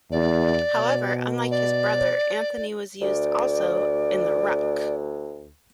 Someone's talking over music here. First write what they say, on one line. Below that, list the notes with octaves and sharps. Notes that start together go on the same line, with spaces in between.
However, unlike his brother, Anthony was used also in the ruck.
E2 D5
B2
D5
D2 D5